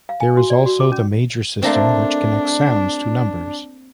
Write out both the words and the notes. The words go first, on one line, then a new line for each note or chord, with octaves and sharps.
There is also the Major system, which connects sounds to numbers.
F5
G#5
F#4
D5
F#4
D6
C#4
A3 A#3 C4 D4